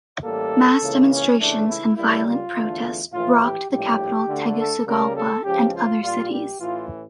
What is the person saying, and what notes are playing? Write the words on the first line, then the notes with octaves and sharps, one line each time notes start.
Mass demonstrations and violent protests rocked the capital Tegucigalpa and other cities.
A1 A2 G3 A#3 A4
C#2 C#3 E3 A#3
C#4
C#2 C#3 E3 A3 D4
E4
C#2 C#3 G3 A#3 E4
F4
E2 D3 A3
A#1 A2 E3 F4
G4
A#1 A2 G3 G4
D2 D3 A3
A4
C#2 C#3 G3 A#3 A#4
A4
C#2 C#3 F3 G4
F4
A#1 A#2 G3 F4
G4
A1 A2 E3 F4